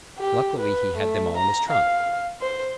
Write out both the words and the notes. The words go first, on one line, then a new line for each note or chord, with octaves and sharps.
Luckily he had them all in his trunk.
G4
B4
A3
A#5
F5
C5